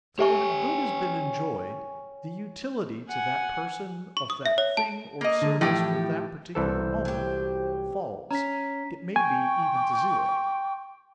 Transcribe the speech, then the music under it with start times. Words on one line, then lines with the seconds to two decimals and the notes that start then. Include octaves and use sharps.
So, when a good has been enjoyed, the utility to that person of that thing or service for that particular moment, falls, it may be even to zero.
0.19 G4 C#5 E5 G5 G#5 C#6
3.09 F#5 G#5
4.17 C#6
4.30 D#6
4.46 E5
4.58 C#5
4.77 A5
5.21 A#3 D#5
5.42 D3
5.61 A2 E3 F3 G4
6.55 C2 E3 A4 C5
7.05 F#3 G4
8.31 C#4 A#5 B6
9.16 G5 G#5 C#6